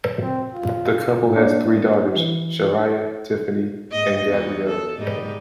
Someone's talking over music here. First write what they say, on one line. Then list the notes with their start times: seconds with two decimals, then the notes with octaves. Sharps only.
The couple has three daughters: Sharayah, Tiffany, and Gabrielle.
0.22 C4
0.54 F4
1.36 A#3 D4
2.17 E3
3.91 G#2 D#5
4.26 E2 D#4 F#4
4.66 A4
4.98 G#2 G3 D#4